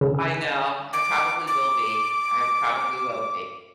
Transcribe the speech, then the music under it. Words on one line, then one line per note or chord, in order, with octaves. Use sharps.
I know, I probably will be, I probably will be.
C#3
D6
D6